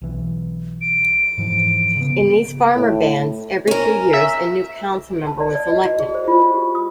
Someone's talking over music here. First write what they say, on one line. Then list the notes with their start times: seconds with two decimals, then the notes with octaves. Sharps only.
In these farmer bands, every few years a new council member was elected.
0.02 B1 E3
0.81 D7
1.38 G#2 E3 F3
1.97 C#3 B3
2.76 A2
3.67 C#4 A#4
4.14 E5
5.27 A5
5.40 D5
5.55 D5
5.70 D#5
5.85 F#4
6.00 G#4
6.14 C5
6.28 F4
6.54 G4
6.75 D#6